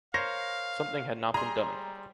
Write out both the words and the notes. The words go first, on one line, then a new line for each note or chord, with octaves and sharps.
Something had not been done.
A#4 C5 C#5 F5 A#6
G3 G#4 A#5 C6